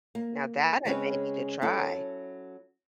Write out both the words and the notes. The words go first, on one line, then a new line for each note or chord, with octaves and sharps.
Now that I may need to try.
A#3
C#3 G#3 C4 C#4 E4 B4
F#3 C#4 E4 A4